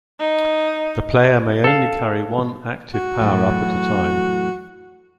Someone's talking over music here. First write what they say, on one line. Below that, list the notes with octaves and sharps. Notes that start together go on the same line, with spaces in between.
The player may only carry one active power-up at a time.
D#4
A4 F5
F#4
E2 A2 F#3